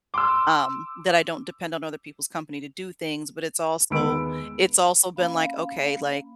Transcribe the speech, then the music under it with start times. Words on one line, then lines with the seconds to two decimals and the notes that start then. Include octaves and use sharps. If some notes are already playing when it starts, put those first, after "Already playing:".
um, that I don't depend on other people's company to do things, but it's also it's also been like, "Okay." Like,
0.14 C6 D6 E6
3.90 D#2 G#3 B3 B5 E6 D7
5.16 A#3 C#4 F5 B5